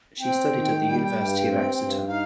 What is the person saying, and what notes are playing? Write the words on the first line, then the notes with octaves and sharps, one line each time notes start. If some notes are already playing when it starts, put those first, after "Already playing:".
She studied at the University of Exeter.
C4 G5
D#3
G3
G2
C4
G2
D#4 F5